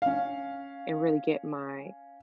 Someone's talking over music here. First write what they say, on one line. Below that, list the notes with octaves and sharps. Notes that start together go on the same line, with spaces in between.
and really get my
C#4 F5